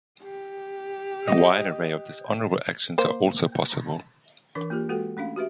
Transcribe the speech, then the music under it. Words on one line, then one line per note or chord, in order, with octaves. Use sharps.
A wide array of dishonorable actions are also possible.
G4
D#5
A#3 C5
E3 D4 A#4 B4 D6
A#3 F4 G4 G#4
G#3 F#4 A4 B4 G5
A3 C#4 D4 F5
F#4 G4 B4 E5